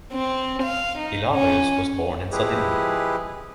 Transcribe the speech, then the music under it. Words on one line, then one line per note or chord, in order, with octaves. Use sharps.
Hilarius was born in Sardinia.
C4
F5
D#4
C#4
F3 G#3 E4 G4 G#4 B4